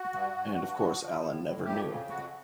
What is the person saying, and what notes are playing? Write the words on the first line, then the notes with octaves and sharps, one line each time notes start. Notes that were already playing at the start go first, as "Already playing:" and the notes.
And of course Alan never knew.
Already playing: F#4
G2
G2
G2
F3
F3
A2
A2
F2 G4
C#3
F2 F#4